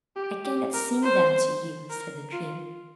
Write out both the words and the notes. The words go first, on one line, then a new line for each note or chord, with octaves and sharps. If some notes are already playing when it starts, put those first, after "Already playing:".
"I cannot sing them to you," said the dream.
G4
G4
A#4
C5
A#4
F4